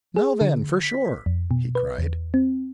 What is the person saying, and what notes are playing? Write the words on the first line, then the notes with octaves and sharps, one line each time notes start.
"Now, then, for shore," he cried.
G#4
D3
B6
F2
B2
B4
E2
C4